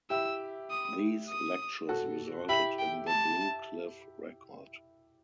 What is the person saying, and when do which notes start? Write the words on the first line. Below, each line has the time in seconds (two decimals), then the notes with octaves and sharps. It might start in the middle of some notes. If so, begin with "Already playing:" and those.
These lectures resulted in the "Blue Cliff Record".
0.10 E4 G4 E6
0.70 D#6
1.29 D#6
1.89 F#4 A4
2.49 E4 G4 B5
2.79 G5
3.08 A5